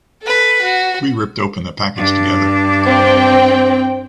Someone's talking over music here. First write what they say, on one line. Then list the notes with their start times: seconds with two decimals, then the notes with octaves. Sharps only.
We ripped open the package together.
0.22 A4 B4
0.62 F#4
1.96 G2 D4
2.85 C4 C5 G5